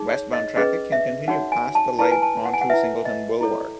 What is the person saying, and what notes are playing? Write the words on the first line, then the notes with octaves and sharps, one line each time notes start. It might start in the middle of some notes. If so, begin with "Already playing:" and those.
Westbound traffic can continue past the light onto Singleton Boulevard.
Already playing: D#4 G#4
C#5
D#5
C#4 G#4 B4 D#5
E5
D#4 F#4 C#5 F#5
G#5
A5
E4 B4 A5
G#5
A5
F#5
G#5
F#5
E4 B4 E5
D#5
E4 A4 C#5